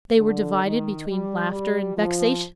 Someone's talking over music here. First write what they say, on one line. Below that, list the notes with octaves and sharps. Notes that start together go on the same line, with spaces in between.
They were divided between laughter and vexation.
D3
D#3
G3
G3
F3